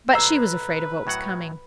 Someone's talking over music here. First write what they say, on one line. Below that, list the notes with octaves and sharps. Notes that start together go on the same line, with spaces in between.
But she was afraid of what was coming.
B1 B4 C5 A#5 E6
A2 F#3 F#5